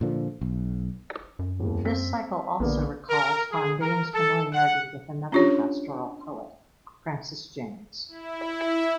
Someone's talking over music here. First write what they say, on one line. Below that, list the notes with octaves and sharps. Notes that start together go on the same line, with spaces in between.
The cycle also recalls Fondane's familiarity with another pastoral poet, Francis Jammes.
A#2 D3 F3
B1
F#2
E1 D#2
C4 B6
A#1 D3 A#3 B3
A#4
G#4
A#4
A4
F#5
C#4 D4 F4 G4 C#5
E4